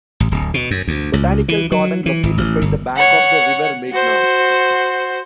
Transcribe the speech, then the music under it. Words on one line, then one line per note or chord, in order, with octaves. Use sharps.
Botanical Garden located by the bank of the river Meghna.
A1
D1
B2
F#2
D2
C#2
E3
F#3
E3
G#1
A1
G1
C#5 F#5
F#4 C5